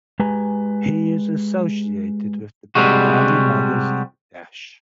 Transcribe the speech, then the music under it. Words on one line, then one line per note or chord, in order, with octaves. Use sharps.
He is associated with the Bengali magazine "Desh".
G#3 G4 B4 G#5 A#5
C3 G3 G#3 F#4